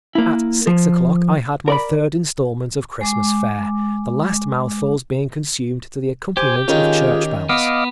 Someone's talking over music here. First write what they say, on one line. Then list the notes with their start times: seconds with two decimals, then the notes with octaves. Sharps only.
At six o'clock I had my third instalment of Christmas fare, the last mouthfuls being consumed to the accompaniment of church bells.
0.15 A#3 E4
0.67 F3
1.68 A#4 D5 B5
3.01 G#3 D6
6.37 G4 C5 G#5
6.68 D#3 C#4 F4 G#4
7.49 B3 D#5 F5 D6